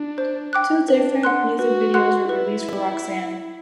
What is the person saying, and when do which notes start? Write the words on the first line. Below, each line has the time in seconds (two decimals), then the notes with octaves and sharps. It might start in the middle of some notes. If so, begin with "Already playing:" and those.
Two different music videos were released for "Roxanne".
Already playing: D4
0.18 C5
0.53 G5 D6 F#6
0.88 D4 B4
1.23 F#5 C6 F#6
1.58 F#4 B4
1.94 F#5 C6 F#6
2.29 E4 B4